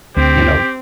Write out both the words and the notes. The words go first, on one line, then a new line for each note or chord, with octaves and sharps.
you know
D2 C4 G4